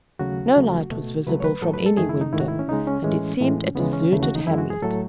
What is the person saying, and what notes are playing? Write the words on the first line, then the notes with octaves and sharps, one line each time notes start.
No light was visible from any window, and it seemed a deserted hamlet.
D#2 C#3 F#3 A3 F#4
D#2 C#3 F#3 A3
C#2 B2 A3
C#2 C#3 F#3 A3 B4
C#5
B4
A2 F#3 A3 A4
B4
A4
F#2 D#3 A3 G#4
E4
D#4
G#2 D#3 A3 E4
F#4
E4
C#4
C#2 C#3 G#3 D#4
C#4
A2 E3 G#3
A2 E3 G#3
D#2 C#3 E3 G#3 B3
C#4
D#2 C#3 E3 A3
F#4
D#4
F#2 E3 G#3 E4
F#4
G#4
A2 F#3 A3 A4